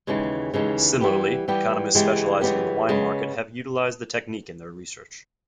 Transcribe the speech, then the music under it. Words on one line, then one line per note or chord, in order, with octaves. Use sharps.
Similarly, economists specializing in the wine market have utilized the technique in their research.
D#2 C#3 E3 G#3
D#2 C#3 E3 G#3
E3 G3 B3 G4
E3 G3 B3 G4
C#3 E3 G#3 B3 G4
C#3 E3 G#3 B3 G4
C#3 G#3 B3